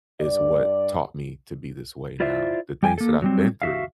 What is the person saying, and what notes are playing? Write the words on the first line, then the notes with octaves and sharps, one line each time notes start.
is what taught me to be this way now, the things that I've been through,
G2 D5
E4 F4 C5 D5 E5
G3 G5 G#5
A#3 A4
F#3 G3 C4
F#4 E5 F5